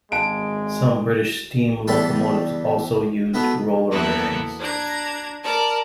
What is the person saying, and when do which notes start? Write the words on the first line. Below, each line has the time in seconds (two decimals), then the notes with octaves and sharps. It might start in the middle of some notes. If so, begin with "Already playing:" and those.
Some British steam locomotives also used roller bearings.
0.12 G#1 G#3 C#4 F5 A5 D7
1.87 E2 G3 E5 A5 C6
3.34 B2 A3 B3 E4
3.89 E2 A#3 B3 E4 A4
4.59 D4 A#5 G#6
5.42 A#4 D5 A5